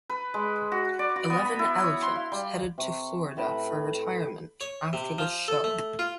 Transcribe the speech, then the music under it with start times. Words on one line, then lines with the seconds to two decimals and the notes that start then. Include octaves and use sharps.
Eleven elephants headed to Florida for retirement after the show.
0.09 B4
0.34 G#3
0.72 F#4
0.99 D5
1.16 F#4
1.30 B3
1.45 B5
1.59 E4
1.84 C#5
2.02 C6
2.15 F5
2.32 G3
2.78 C3 C#6
3.37 A2 B4 G5 B5
4.61 C#5
4.93 C3
5.19 F3
5.48 A4
5.64 A3
5.99 F4